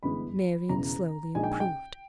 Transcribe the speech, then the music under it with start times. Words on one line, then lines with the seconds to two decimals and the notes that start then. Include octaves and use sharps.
Marian slowly improved.
0.03 G1 G2 E3 G#3 B3 B5
0.69 E1 E2 C#3 A#5
1.35 A#1 A#2 G#3 D#4 G#5
1.44 G5
1.51 G#5
1.60 G5